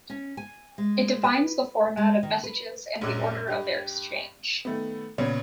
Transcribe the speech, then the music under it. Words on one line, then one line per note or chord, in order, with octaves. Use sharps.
It defines the format of messages and the order of their exchange.
C#4
G#5
G#3
B4
G#3
D#3
B4
A#1 F#2 G#3 D6 F#6
G2 G4
D#3 A3 B3
A#2 C#3 B3 C#4